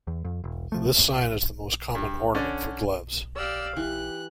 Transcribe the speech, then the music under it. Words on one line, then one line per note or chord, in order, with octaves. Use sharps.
This sign is the most common ornament for gloves.
E2
F2
E1
C3 F3 A3
G2
D3 C#4 D4
G4 D5 F5 E6
E3 G4 F#6